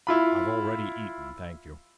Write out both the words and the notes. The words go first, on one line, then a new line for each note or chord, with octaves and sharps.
"I've already eaten, thank you."
E4 F4 B5